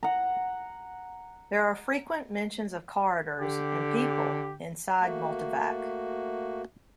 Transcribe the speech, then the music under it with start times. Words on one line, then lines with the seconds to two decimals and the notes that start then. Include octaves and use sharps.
There are frequent mentions of corridors and people inside Multivac.
0.03 F#5 A#5
3.38 D3 G4
5.01 A3 A#3 F#4